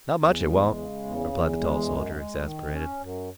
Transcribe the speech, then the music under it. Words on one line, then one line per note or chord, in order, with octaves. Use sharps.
"Not much it won't," replied the tall soldier, exasperated.
E2
G#3
C#3
E2
E2
G#3
F#2
G#3
D#3
C#4
F#2